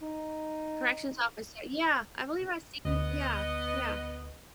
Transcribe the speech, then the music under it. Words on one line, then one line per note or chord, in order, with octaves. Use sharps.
corrections officer, yeah, I believe I've seen yeah, yeah.
D#4
D2 B3 D#5